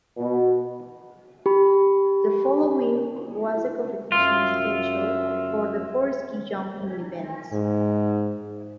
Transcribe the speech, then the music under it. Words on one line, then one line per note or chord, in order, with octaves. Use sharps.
The following was the competition schedule for the four ski jumping events.
B2
G4 B5
F#2 F4 E5
G#2